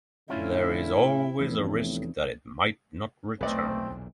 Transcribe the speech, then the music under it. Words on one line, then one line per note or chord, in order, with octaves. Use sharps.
There is always a risk that it might not return.
A2 D3 C#4 E4 F4
F1 E2 A2
B1 E2 A#2 A3 C4 B4 D5 D#5